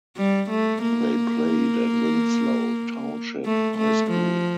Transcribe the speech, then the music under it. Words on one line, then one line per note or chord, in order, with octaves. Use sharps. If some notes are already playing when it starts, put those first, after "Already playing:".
They played at Winslow Township High School.
G3
A3
A#3
A3
A3
F3